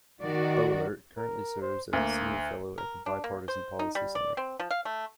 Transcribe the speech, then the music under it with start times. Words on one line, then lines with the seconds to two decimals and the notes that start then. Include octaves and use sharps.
Boehlert currently serves as a Senior Fellow at the Bipartisan Policy Center.
0.21 D#3 F#4 D5
1.18 A#4
1.62 C5
1.93 D2 A#3
2.78 A#4
3.06 D4
3.24 A#3
3.48 C5
3.79 D#4
3.95 G3
4.15 D5
4.37 C4
4.60 F3
4.71 F5
4.85 A3